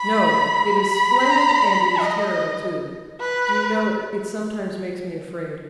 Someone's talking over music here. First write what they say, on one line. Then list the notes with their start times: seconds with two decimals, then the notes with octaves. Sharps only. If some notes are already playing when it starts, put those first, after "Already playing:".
"No, it is splendid, and it is terrible, too. Do you know, it sometimes makes me afraid."
Already playing: B5
0.80 B5
2.00 D#5
3.20 B4